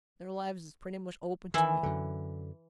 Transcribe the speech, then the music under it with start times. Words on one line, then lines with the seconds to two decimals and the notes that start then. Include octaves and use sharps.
Their lives is pretty much open to me.
1.54 D#3 E3 E4
1.83 F#2 D3